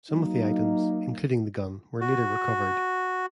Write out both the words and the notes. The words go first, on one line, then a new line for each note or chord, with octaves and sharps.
Some of the items, including the gun, were later recovered.
F#3 A#3 D#4
F#4